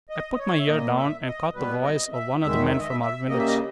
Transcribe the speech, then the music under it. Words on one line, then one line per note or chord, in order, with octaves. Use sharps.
I put my ear down, and caught the voice of one of the men from our village.
D#5
D#5
C#5
E5
A#2 A#3 D#5
E5
D#5
B2 G3 B3 B4
D#5
E5
E2 D#3 G#3 E5
E5
D#5
E5
E5
C#3 G3 A#3 D#5
E5
D#5